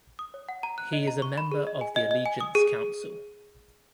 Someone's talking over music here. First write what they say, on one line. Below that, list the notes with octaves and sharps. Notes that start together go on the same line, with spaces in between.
He is a member of the Allegiance Council.
D#6
C#5
F#5
A#5
F#6
D#5
A#5
C#6
B5
G#4
D#5
G#5
D#5
D#5
G#5
D#6
G#4